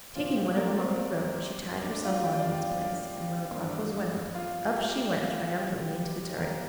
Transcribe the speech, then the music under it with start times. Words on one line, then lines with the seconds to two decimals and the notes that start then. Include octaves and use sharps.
Taking one of them off the rope, she tied herself on in its place, and when the clock was wound, up she went triumphantly into the turret.
0.15 A#2 F3 C4 F4
0.36 G4
0.57 A#3 A#4
0.69 D5
0.78 C4 C5
1.83 D4 D5
2.03 F4 F5
2.25 G4 G5
2.39 D5
2.46 F4 F5
3.51 G2 F3 A#3 D4
4.35 F4 F5
4.76 G4 G5
5.18 F4 F5
5.61 G4
6.02 G4
6.38 A#4
6.44 G4